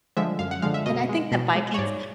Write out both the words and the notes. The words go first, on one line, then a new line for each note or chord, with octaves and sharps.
Mm, and I think that Vikings
D3 F3 G#3 E5
F#2 F5
F#5
D3 F3 G#3 F5
E5
B2 D#5
G#3
B2
G#3
C#5
G#2 D5